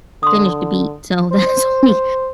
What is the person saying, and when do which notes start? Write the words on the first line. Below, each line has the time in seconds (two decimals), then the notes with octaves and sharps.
finish the beat, so, that's on me,
0.23 D3 C6 D#6
1.33 C5